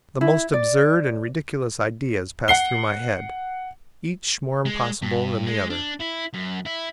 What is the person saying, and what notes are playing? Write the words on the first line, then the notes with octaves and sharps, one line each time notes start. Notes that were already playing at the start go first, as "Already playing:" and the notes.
The most absurd and ridiculous ideas passed through my head, each more impossible than the other.
E4
D5
F#5 C7 G7
G#3
G2
G#3
D4
E4
F#2
E4